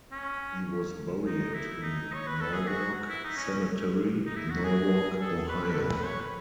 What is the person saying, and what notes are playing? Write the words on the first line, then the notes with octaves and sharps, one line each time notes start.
He was buried in Norwalk Cemetery, Norwalk, Ohio.
C#4
D#4
E4
D#4
C#5
B4
A4
G#4
F#4
E4
D#4
C#4
D#4
E4
F#4
G#4
A4
B4
B4
A4
B4
C#5
B4